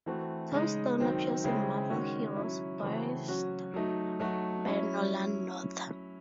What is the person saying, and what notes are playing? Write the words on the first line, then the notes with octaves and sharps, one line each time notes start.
Tombstone appears in "Marvel Heroes", voiced by Nolan North.
E3 A3 C4 F#4
C#3 G#3 D#4
D#3 F#3 C4 D#4
C#3 G#3 C4 E4
D#3 G#3 C#4 F#4
F#3 C#4 E4
C#3 E3 A3 C4 F#4
F#3 C#4 F#4
F#3 A3 D#4
F#3 A3 D#4 F#4
F#3 C#4 E4